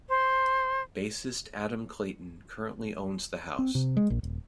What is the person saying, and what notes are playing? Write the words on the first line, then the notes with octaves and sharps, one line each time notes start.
Bassist Adam Clayton currently owns the house.
C5
C4
C3
G#3
A#1
D#1